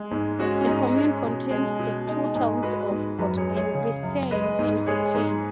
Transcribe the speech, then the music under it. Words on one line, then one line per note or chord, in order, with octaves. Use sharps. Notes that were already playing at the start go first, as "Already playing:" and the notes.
The commune contains the two towns of Port-en-Bessin and Huppain.
Already playing: G#3
G#2
G#3 C#4 F#4
C#4
G#2 D#4
G#3 C#4
B2
G#3
B2
G#3 D#4
G#2 D#4 G#4
G#3 F#4 B4
G#2
F#2 F#4 B4
G#4 C#5
G#3
G#4 C#5
C#3
F#2
G#3 B4 D#5
G#2
G#3 G#4 C#5
G#2